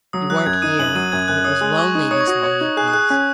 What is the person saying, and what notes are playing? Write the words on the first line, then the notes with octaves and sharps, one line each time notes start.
'You weren't here, and it was lonely these long evenings.
F#3 D#6
F#3 F#6
F#2 G#6
D#4 D#6 D#7
F#2 F#6 F#7
F#3 D#6 D#7
F#2 G#6
F#2 F#6
C#5 D#6
G#3
G#3 C#6
D#4
C#5 D#6
C#6
F#4 D#6
C#5
D#4
G#4 F#6
D#6
G#4 F#6
C#4 F#6